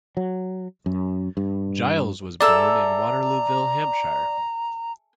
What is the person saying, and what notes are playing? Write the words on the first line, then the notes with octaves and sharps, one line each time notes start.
Giles was born in Waterlooville, Hampshire.
F#3
F#2
G2
G#4 A4 D5 E5 A#5